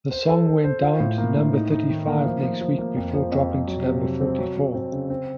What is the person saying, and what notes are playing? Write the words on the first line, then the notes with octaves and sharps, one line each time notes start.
The song went down to number thirty-five next week, before dropping to number forty-four.
C5
A4
A4
C5
F4
A2
A#3
A2
D#4
D#4
D#3
A#3
F3
F3
F3
A#3
F2
F3
F2
F3
F#3
C3
F#3
C4
F#3
F#3
C4
C#3
C4